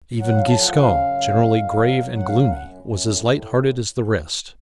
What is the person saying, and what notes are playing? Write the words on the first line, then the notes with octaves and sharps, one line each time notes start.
Even Giscon, generally grave and gloomy, was as light hearted as the rest.
F#3
F#5
A2 F5
A5
F3 F#5
F#5
C#3 F5
F#2
F2
F2
F#3
F#3
F#2 F#5
F5
F#2 F5
F#5
F#2
F#2
A2
A2